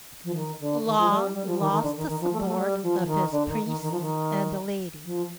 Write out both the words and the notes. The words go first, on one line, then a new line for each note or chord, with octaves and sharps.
Law lost the support of his priests and the laity.
F3
D#3
D3
D#3
F3
G3
G3
F3
D#3
D#3
D3
D#3
D#3
F3
A3
G3
A3
G3
F3
F3
D#3
D3
D#3
D#3
D#3
F3
D#3
F3